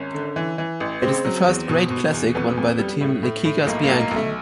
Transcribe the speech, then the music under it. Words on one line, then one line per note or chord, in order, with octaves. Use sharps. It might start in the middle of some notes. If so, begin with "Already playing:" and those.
It is the first great classic won by the team Liquigas-Bianchi.
Already playing: G#1 C#4
D3
E3
E3
A1
C#3 C4
F#3
E2
B2
B2
E2
F2 B3
F2
G3
A2
A2
A2
B1 A#3
A#3
B1
A#3
B1
A3